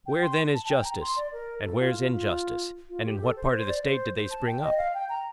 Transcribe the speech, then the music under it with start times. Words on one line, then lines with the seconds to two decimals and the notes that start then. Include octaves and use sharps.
Where, then, is justice, and where is injustice, and in what part of the State did they spring up?
0.06 G5
0.22 C6
0.54 A5
0.69 G5
0.85 A#5
1.01 C6
1.16 D5
1.33 A#4
1.64 A4
1.80 F4
1.95 F4
2.11 F4
2.90 F4
3.05 G4
3.21 A4
3.36 C5
3.53 C5
3.68 D5
3.83 C5
4.15 C5
4.30 A5
4.47 G5
4.63 D#5
4.78 F5
4.94 G5
5.09 A#5